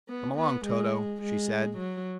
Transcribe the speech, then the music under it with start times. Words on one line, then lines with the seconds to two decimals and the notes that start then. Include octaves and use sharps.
"Come along, Toto," she said.
0.09 B3
0.36 B3
0.66 G#3
1.21 G#3
1.77 F#3